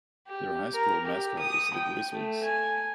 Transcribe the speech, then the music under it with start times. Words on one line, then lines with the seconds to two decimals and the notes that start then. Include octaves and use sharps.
Their high school mascot is the Grizzlies.
0.27 G4
0.74 A#4
1.05 G4
1.39 D#6
1.73 G5
2.12 A3
2.43 G#5